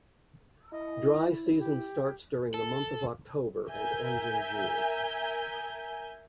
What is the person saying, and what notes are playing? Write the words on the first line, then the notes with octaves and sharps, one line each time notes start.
Dry season starts during the month of October and ends in June.
E4 D#5
G4
A4
A#4 E5 G#5 G6